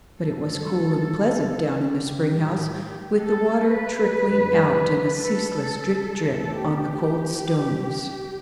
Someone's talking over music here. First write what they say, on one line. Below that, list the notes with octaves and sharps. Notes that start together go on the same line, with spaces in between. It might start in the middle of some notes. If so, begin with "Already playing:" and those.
But it was cool and pleasant down in the spring-house with the water trickling out in a ceaseless drip-drip on the cold stones.
G2 F#3 A3 A4
G4
A2 G3
A4
B4
F#2 D3 F#3
A4
E2 B2 A3 A4
G4